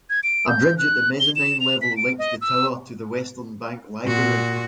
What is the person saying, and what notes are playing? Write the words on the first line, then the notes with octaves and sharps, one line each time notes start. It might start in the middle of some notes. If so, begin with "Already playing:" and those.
A bridge at the mezzanine level links the tower to the Western Bank Library.
G#6
D7
G6
F#6
G7
E7
F7
B6
D7
D#5
E6
A#2 F#4